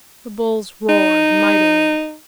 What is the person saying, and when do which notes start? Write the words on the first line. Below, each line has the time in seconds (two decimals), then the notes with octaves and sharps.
The bulls roared mightily.
0.89 D#4